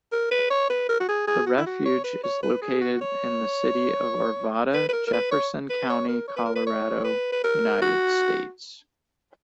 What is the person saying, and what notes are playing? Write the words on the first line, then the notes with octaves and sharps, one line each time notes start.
The refuge is located in the City of Arvada, Jefferson County, Colorado, United States.
A#4
B4
C#5
B4
A#4
F#4
G#4
G#4
F#4
E4
F#4
C#5
B4
C#5
B4
G#4
F#4
C#5
B4
B4
A#4
A#4
B4
C#5
B4
C#5
A#4
C#5
B4
A#4
B4
C#5
B4
B4
A#4
F#4